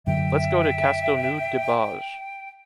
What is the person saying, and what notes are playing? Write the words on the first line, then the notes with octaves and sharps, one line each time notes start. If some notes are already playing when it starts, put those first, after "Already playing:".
Let's go to Castellnou de Bages.
F#2 D3 F#3 E5 G5